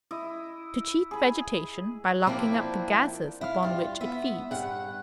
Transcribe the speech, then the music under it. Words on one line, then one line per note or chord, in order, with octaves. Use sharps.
To cheat vegetation by locking up the gases upon which it feeds.
E4 D#5
G#4 B5
F3 A#3 C4 D4 E4
E4 F5
G2 F4
B3 E5
G2 F#5